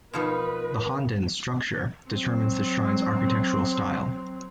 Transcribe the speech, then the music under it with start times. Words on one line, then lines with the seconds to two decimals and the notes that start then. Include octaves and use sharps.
The "honden's" structure determines the shrine's architectural style.
0.13 B2 F3 D#4 A#4 B4
2.07 F#3 C4